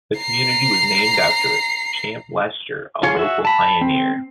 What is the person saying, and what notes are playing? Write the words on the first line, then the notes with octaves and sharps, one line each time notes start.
The community was named after Champ Lester, a local pioneer.
A#5 C7
F4 G#4 C#5
F#4 E5
A5 B5
C4